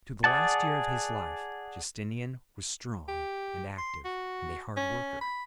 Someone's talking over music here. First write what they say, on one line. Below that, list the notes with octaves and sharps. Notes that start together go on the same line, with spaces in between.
To the last year of his life Justinian was strong and active and a hard worker.
G#4 D5 F#5 A5
G4
C6
F#4
C#4
B5